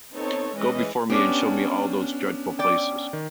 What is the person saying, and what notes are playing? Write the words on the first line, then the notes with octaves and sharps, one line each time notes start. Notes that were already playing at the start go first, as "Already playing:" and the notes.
Go before me and show me all those dreadful places.
B3 C4 D#4 A4 C#5
E3 G#3 C#4 B4 D#5
B3 C#4 D4 G4
D5 G5
D#3